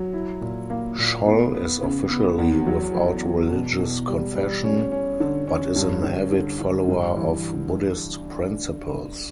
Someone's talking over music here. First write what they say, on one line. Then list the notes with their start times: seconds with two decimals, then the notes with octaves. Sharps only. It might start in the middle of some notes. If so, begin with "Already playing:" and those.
Scholl is officially without religious confession, but is an avid follower of Buddhist principles.
Already playing: F#3
0.13 E4
0.41 A#2
0.70 A#3
0.99 A#2
1.26 B3
1.54 B3
1.82 C#3
2.10 B3
2.38 E2
2.67 F#3
2.95 F#3
3.23 E2
3.51 B2
3.79 B2
4.07 G3
4.35 G3
4.64 C#4
4.92 C#4
5.20 D3
5.47 C#4
5.76 G2
6.04 D3
6.32 D3
6.60 D3
6.88 G2
7.16 E3